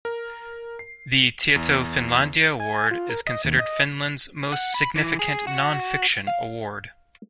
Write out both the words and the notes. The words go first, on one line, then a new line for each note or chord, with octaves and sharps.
The Tieto-Finlandia Award is considered Finland's most significant non-fiction award.
A#4
C7
E2
G#5
F4
A#4
D#5
D#2
D#5
F#5
B5
E3
G#4
F#4
F5